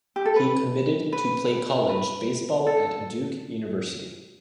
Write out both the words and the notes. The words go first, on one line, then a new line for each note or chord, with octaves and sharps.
He committed to play college baseball at Duke University.
G4
A4
B4
B4
B4
A4